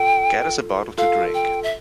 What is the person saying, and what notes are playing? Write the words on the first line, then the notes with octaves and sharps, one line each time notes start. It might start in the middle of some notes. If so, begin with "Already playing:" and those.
Get us a bottle to drink.
Already playing: F4 A4 G5
F4 A4 F5
G5
E5